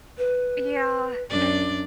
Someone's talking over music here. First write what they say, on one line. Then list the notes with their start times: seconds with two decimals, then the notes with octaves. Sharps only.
Yeah, and,
0.18 B4
1.30 F#2 D4 D5